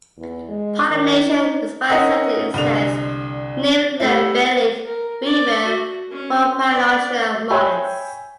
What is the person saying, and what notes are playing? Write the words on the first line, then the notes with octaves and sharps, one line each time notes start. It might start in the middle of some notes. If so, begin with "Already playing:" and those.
Pollination is by certain insects, namely the belid weevil "Rhopalotria mollis".
E2
G#3
D#3
D#4
C#4 D#4 E4 A#4 D#5 F#5
C2 D3 F7
G3 A3 E4
A#4
D5
F#4
C#4
D5
C#5 E5 G5 G#5 B5